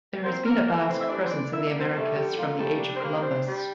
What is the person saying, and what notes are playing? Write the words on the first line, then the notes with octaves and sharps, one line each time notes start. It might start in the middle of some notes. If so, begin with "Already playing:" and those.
There has been a Basque presence in the Americas from the age of Columbus.
A#3 C4 C5
F3 A#3 A#4
A3 A#3 A#4
E3 C4 C5
E5
G3 D4 D5
C5
D3 D4 D5
A#3 E4 E5
D4 D5
G3
C4 C5
G3 A3 A4
D3 G4
A#3 F4
G3 A3 A4
D4
C5
G3 A#3 A#4
C4 D4 C5
G3